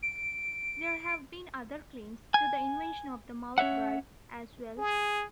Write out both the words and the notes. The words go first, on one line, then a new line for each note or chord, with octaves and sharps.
There have been other claims to the invention of the mouthguard as well.
D7
G#5
C#4 C#5 E5 F#5
G#4